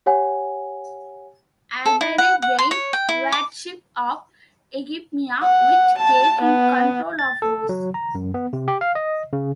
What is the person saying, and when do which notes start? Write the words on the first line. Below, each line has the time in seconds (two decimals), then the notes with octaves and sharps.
Albany gained wardship of Euphemia, which gave him control of Ross.
0.06 G4 C#5 F#5 G#5
1.86 A4
2.01 E4
2.18 F#5
2.42 F#5
2.59 C6
2.71 C#5
2.93 G5
3.09 E4
3.32 D6
5.42 F#5
5.99 A5
6.42 B3
7.19 A6
7.42 A4
7.69 F#3
7.94 A#5
8.15 F#2
8.34 B3
8.53 C3
8.68 G4
8.81 F5
8.95 D#5
9.33 C#3